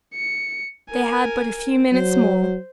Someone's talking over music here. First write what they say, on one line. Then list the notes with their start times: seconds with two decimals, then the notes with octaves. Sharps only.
They had but a few minutes more.
0.14 C#7
0.90 A#4 G#5
1.93 F#3 C5